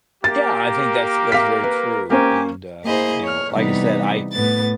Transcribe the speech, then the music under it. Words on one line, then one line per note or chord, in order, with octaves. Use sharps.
Yeah. I think that's that's very true. And, uh, you know, like I said, I
A#3 G4 A#4 A6
F5 D6 B6
B4
A#3 C#4 G4 A#4 C5 G#5
A#3 E4 G#4 C5 D#5
C#5 F6
C3 E3 G3 B3 D#4
A2 B3 A6